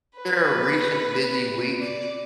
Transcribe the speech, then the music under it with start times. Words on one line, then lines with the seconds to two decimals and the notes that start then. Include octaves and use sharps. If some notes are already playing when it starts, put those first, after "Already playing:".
There a recent busy week
0.16 B4
1.80 D5